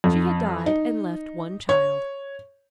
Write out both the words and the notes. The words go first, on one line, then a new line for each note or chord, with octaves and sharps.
She had died and left one child.
F2
D#4
C#5